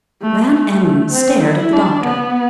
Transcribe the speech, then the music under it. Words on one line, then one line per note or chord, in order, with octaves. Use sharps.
Van Emmon stared at the doctor.
A3
A3
C4
E4
D4
B3